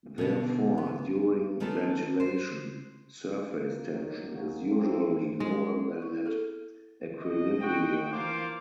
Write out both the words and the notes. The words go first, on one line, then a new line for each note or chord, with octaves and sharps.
Therefore, during ventilation, surface tension is usually lower than at equilibrium.
B2 D3 B3 D4
B3
D#3 A3 B3 C#4 F4 A4
C5
A#3
D#3 F#3
D#2 A#3 F#4 G#4
F#3 A3 A#3 C4
G#2
G#3
E4
G#4 A4
C2 F2 D#5
F#4 G5
E3 F3 A#3 F4 C5 D6